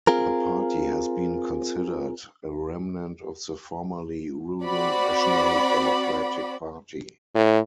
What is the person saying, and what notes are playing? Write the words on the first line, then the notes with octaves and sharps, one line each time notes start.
The party has been considered a remnant of the formerly ruling National Democratic Party.
C4 F4 G#4 A#4
C4 F#4 D5 B5
A2